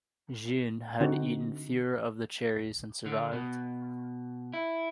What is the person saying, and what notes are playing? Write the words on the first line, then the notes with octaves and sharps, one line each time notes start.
Jeanne had eaten fewer of the cherries and survived.
D3 C4 D#4 F#4
D3
B2
E4